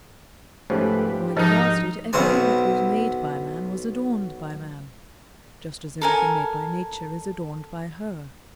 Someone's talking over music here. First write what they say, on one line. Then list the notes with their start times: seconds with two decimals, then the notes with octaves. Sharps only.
While it lasted, everything that was made by man was adorned by man, just as everything made by Nature is adorned by her.
0.70 G#2 F3 A3 C#4 G4 B4
1.07 G4
1.37 G#2 F3 D#4 A#4 A5
2.13 B1 B2 C4 G#5
6.02 A4 A#4 G#5